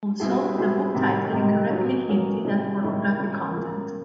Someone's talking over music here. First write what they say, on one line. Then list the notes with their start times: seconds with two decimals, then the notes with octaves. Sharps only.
Also, the book title incorrectly hinted at pornographic content.
0.20 B2 G3 C4 E4 G#4
0.57 B2 G3 C4 E4 G#4
0.95 C3 D#3 G3 C4 D#4
1.33 C3 D#3 G3 C4 D#4
1.70 B2 F#3 A#3 C#4
2.07 B2 F#3 A#3 C#4
2.45 C3 D#3 G#3 C#4 E4
2.82 C3 D#3 G#3 C#4 E4
3.20 C#3 F3 A#3
3.56 C#3 F3 A#3